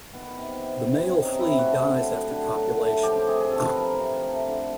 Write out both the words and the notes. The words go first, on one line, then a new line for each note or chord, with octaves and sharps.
The male flea dies after copulation.
D#3 B3
C3
C3
C3
C#4
C3
D#4
C3
E4
A3 F#4
D3
F#3
D3
F#3
A3
F3 G4
C3 G#4
G#4
C3 A4
B4
F3 A#4
C3
A3
D3